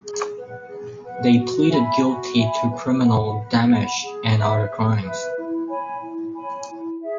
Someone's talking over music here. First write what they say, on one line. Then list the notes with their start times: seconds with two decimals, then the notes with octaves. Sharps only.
They pleaded guilty to criminal damage and other crimes.
0.04 G#4
0.38 B4 F#5
0.70 G#4
1.03 B4 F#5
1.37 F#4
1.70 E5 G#5 B5
2.03 F#4
2.37 E5 G#5 B5
2.69 B4
3.02 F#5 B5
3.36 B4
3.69 F#5 B5
4.03 G#4
4.36 B4 E5
4.69 G#4
5.02 B4 E5
5.36 E4
5.68 C#5 G#5 B5
6.02 E4
6.36 C#5 G#5 B5
6.69 E4
7.03 G#4 E5